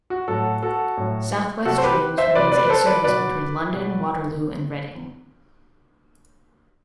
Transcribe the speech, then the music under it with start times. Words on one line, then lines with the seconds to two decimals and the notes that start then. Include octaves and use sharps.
South West Trains runs a service between London Waterloo and Reading.
0.10 F#4
0.28 A2 F#3 F#4 A4
0.62 F#4 A4
0.97 A2 F#3
1.65 C3 F#3 F#4 A4
1.78 C5
1.84 G4 B4
2.18 C5 E5
2.35 C3 F#3 B4 D5
2.51 B4 D5
2.65 B4
2.69 A4 C5
2.86 B4 D5
3.04 B2 F#3 B4 D5
3.72 B2 F#3